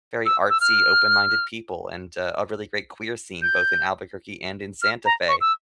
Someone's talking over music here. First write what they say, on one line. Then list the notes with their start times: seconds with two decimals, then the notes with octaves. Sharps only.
very artsy, open-minded people, and a really great queer scene both in Albuquerque and in Santa Fe,
0.26 E6
0.50 E6
0.61 F6
3.42 G6
4.82 F6
5.05 A#5
5.28 C#6
5.41 E6